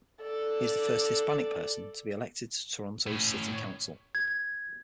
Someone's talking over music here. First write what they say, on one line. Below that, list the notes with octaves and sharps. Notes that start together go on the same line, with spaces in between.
He is the first Hispanic person to be elected to Toronto's City Council.
A4 D5
A2 C#4
G#6